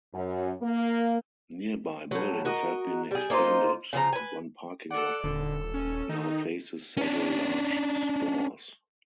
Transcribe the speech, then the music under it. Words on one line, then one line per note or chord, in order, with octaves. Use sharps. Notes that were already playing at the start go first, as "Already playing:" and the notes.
Nearby buildings have been extended, and one parking lot now faces several large stores.
F#2
A#3
A2 F#3
F#4 A#4 D#5
G3 G#4
A#3 D#4 F4 C5
C#3 F3 G#4 A#5
B4 G#5
A4 D5 F#5
D#1 D3 A4
C#4
D#3 D#4
C#4 D4